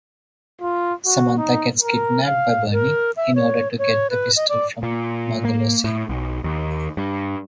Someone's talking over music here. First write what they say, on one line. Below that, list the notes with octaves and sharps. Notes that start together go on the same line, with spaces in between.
Samantha gets kidnapped by Bernie in order to get the pistol from Margolese.
F4
F#4
D#4
A#4
F5
A#4
E5
C#5
C#5
B4
D#5
D5
A#2
A#3
A2
B1
D#2
G2